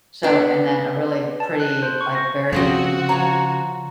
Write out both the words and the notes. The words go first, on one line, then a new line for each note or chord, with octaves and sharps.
So and then a really pretty, like, very
B3 D4
A5
F#6
C5
C#6
A#6
C#3 F3 C4 F#4 D#5
F3 C#5 A#5